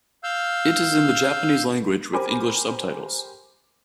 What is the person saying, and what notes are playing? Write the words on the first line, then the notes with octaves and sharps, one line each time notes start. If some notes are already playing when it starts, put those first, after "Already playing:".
It is in the Japanese language with English subtitles.
F5 E6 F6 G6
G4 A#4 C5 G#5 B5 D6